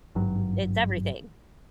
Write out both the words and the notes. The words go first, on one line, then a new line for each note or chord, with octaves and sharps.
It's everything,
G#1 G2 F#3